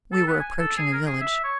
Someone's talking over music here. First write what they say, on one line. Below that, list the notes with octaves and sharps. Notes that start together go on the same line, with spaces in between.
We were approaching a village.
A4
B3
G#5
A4
G#4
A#4
G#4
E5
C#5